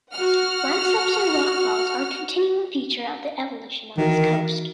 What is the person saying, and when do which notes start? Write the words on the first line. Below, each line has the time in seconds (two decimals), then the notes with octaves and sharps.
Landslips and rockfalls are a continuing feature of the evolution of this coast.
0.14 F#4 F#5 F6
3.98 D#3 E3 F#4 A#4